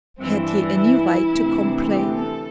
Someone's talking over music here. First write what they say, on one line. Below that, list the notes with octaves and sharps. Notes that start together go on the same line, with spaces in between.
Had he any right to complain?
G2 E3 C4
D4
E4
D2 C3 E3
G4
A4